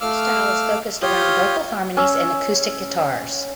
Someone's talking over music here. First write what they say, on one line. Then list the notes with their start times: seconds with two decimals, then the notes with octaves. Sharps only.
Their style is focused around vocal harmonies and acoustic guitars.
0.01 A3 F5 D6 E6 F6
1.02 F4 G4 C#5 F5 D#6 G6
1.97 C#4 E6